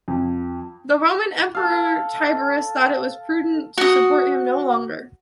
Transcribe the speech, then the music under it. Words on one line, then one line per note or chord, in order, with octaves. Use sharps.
The Roman emperor Tiberius thought it was prudent to support him no longer.
F2
A4 F5
F#4 D#6